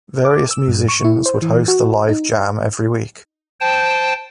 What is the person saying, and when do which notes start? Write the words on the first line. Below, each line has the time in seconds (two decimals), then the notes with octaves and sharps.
Various musicians would host the live jam every week.
0.25 D6
0.51 E6
0.68 G2
0.88 C#6
1.04 E4
1.26 C5
1.42 E3
1.68 F#4
2.09 D#4
3.60 C5 G5 A5